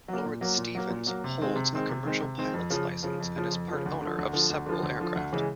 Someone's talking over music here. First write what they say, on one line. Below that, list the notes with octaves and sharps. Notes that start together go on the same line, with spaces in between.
Lord Stevens holds a Commercial Pilot's Licence and is part owner of several aircraft.
F#3 A#3
A#2
F#3 A#3
A#2
F#3 A#3
A#2
F#3 A#3
C3
D#3 G#3 C4
C3
D#3 G#3 C4
C3
D#3 G#3 C4
C3
D#3 G#3 C4
F2
C#3 F3
F2
C#3 F3
F2
C#3 F3
F2
C#3 F3
D2
D3 F3
D2
D3 F3
D2
D3 F3
D2
D3 F3
D2
C#3 E3 G#3